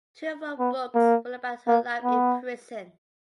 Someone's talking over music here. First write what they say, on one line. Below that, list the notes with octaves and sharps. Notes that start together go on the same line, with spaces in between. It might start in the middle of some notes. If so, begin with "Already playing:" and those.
Two of her books were about her life in prison.
B3
A#3
A#3
B3